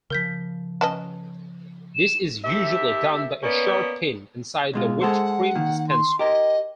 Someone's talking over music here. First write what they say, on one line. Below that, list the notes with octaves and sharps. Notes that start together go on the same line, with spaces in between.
This is usually done by a sharp pin inside the whipped cream dispenser.
C#3 F3 A#4 G6 B6
C#4 B4 D#5 A5
E7
D#2 G4 E5
A#3 B3 C#4 D5
B2 G#3 F4
G#3 A4 C5 F#5
D#3 A#3
C6
G4 A#4 D#5